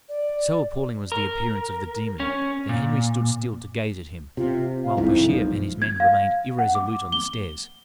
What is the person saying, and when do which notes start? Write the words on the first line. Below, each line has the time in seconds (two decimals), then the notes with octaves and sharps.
So appalling was the appearance of the demon, that Henry stood still to gaze at him, while Bouchier and his men remained irresolute on the stairs.
0.09 D5
1.12 A#4
2.20 C#4
2.69 A#2
4.37 C3 F4
4.83 F5
4.97 C2 F2 G#2 E4
5.28 B1 F3 G#3 D#4
5.82 G#6
6.00 F5
6.59 F#5
6.75 D6
7.12 G7